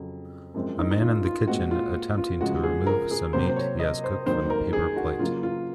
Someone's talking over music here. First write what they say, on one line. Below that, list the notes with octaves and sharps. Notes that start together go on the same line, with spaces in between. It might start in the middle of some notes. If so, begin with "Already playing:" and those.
A man in the kitchen attempting to remove some meat he has cooked from the paper plate.
Already playing: F2 C#3 F#3
F#2 F3 G#3 C4
D#4
D#4
F4
F4
A#2 G#3 C4 F#4
F4
F4
C#3 F3 G#3 F#4
G#4
A#4
G#4
C3 F#3 A#3 C5
C5
C#5
D#5
C5
F2 D#3 F#3 A#3 C5
A#4
G#4
F#4
C#3 F#3 A#3 F4
F4